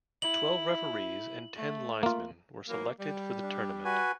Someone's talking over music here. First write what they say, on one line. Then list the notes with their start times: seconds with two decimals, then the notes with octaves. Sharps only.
Twelve referees and ten linesmen were selected for the tournament.
0.22 E4 F#7
1.56 A3
2.03 A#3 F4
2.68 E3 F#3 A#3
3.00 G3
3.43 D4
3.85 F#4 B4 G#5